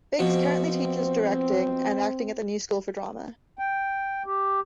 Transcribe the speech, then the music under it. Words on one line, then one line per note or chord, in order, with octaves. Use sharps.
Biggs currently teaches directing and acting at The New School for Drama.
B2 F3 C4
G5
G4